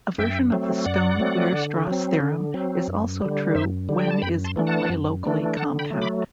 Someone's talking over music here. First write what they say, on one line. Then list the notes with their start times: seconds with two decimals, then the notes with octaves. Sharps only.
A version of the Stone-Weierstrass theorem is also true when is only locally compact.
0.18 F#2 E5 G5
0.52 F#3 A3 C4
0.85 F#2 D5 F#5
1.20 F#3 A3 C4
1.53 D3
1.87 F#3 C4
2.20 D3
2.54 F#3 C4
2.88 F#2
3.22 D3 G3
3.55 F#2 C5 E5
3.89 D3 G3
3.99 G5
4.10 A5
4.22 F#2 G5 B5
4.44 A5 C6
4.56 E3 A3 D4
4.67 F#5 A5
4.90 F#2
5.23 E3 A3 D4
5.57 D3 F#5 A5
5.79 G5 B5
5.90 F#3 A3
6.01 B5 D6